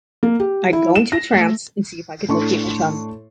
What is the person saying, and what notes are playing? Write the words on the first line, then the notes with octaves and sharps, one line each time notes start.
I'd go into a trance and see if I could locate my chum.
A#3
G4
E4
E7
A#6
A3
A2 D4 A4 C6 C#6